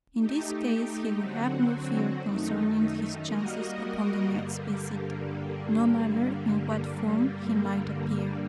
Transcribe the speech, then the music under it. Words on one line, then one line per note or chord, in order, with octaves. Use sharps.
In this case he would have no fear concerning his chances upon the next visit, no matter in what form he might appear.
A3 D#4 G4
D3 F#3 C4 F#4
F#2 D#3 A3 D#4
G3 A#3 F#4 A#4 D#5
G2 D3 G3 A#3